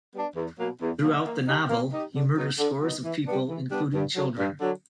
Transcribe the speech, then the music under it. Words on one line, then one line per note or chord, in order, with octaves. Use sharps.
Throughout the novel, he murders scores of people, including children.
G3 B3 D4
E2
B2 F#3 A#3
E2
B2 F#3 A#3
A#3
D#4 G4
A#3
D#4 G4
D3
F#3 B3 D#4
D3
F#3 B3 D#4
E3
G3 B3 D4
E3
G3 B3 D4
G2
D3 F#3
G2
D3 F#3